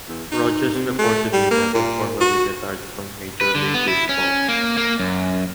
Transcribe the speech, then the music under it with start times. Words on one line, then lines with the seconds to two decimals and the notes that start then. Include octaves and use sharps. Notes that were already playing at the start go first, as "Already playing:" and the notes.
Rogers reportedly never formally retired from Major League Baseball.
0.08 E2
0.32 D#4
0.75 C3
0.99 A3
1.33 G3
1.51 A#3
1.74 A#2
2.21 F#4
3.41 B4
3.55 D3
3.74 B3
3.88 E4
4.09 C#4
4.49 A#3
4.78 A#3
5.00 F#2